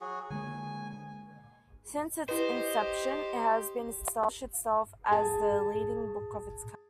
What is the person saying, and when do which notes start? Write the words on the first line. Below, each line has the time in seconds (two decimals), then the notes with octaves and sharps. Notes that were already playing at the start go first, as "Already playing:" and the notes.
Since its inception, it has established itself as the leading book of its kind.
0.01 F#3 F#4 G#4
0.30 D3 G#3 A#3 G#5
2.29 E4 G4 B4 C5 D#5
5.11 G#4 A5